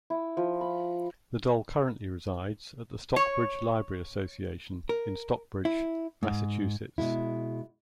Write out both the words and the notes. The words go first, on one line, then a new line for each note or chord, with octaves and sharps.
The doll currently resides at the Stockbridge Library Association in Stockbridge, Massachusetts.
E4
F3
B5
C#5
A#4
E4
G#2
B2 G#3 E4